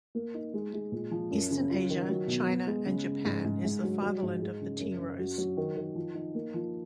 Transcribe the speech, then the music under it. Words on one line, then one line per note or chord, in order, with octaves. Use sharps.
Eastern Asia, China and Japan, is the fatherland of the tea rose.
A#3
D#4
G#3
G#3
A#2
F3
F#2
C#3
F4
D#3
F#3
B2
B3
G#3
C#3
C#3
G#2
G#2
G#2
F#3
F#3
G#2
G#3
C#3
F#2
F#2
F#4
F#3
D#3
D#3
F3
D#4
A#3
F3